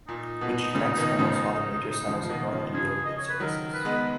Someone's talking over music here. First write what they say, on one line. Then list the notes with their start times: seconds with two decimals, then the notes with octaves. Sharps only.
Which connects almost all the major centres of North India with its services.
0.08 A#2 D#4
0.41 B2
0.74 A#2 C#3
0.97 B2 D#3
1.19 C#3 F3
2.08 C#3 F3
2.23 F3
2.29 B2 D#3
2.52 C#3 F3
2.74 C#3 F3 G#4
3.05 D#5
3.17 C#5
3.29 B4
3.40 D#3 F#3 A#4
3.73 B4
3.85 G#3 B3